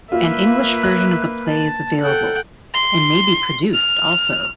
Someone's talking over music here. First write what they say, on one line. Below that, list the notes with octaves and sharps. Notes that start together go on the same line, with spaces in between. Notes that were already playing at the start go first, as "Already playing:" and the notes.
An English version of the play is available, and may be produced also.
A#3 F4 B4 E5
F#6
A5
A4 F#5 G5
C6
F6